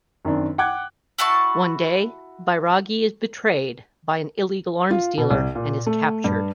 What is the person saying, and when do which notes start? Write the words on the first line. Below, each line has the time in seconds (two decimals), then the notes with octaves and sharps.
One day, Bairagi is betrayed by an illegal arms dealer and is captured.
0.25 F#2 D#3 C4 D4
0.58 F#5 G5 D6 F#6 G#6
1.18 E4 F#4 A5 C#6
4.91 F4
5.18 B2
5.30 C2
5.55 A#2
5.86 A3
6.24 G2